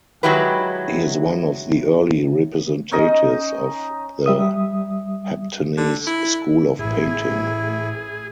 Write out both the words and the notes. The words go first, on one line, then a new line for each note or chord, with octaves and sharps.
He is one of the early representatives of the Heptanese School of painting.
D#3 F#3 G#3 E4 G4 B4
C#4 D#4 D#5
G3 E5 D#6
D3
E4
A1 A2 E4 G#4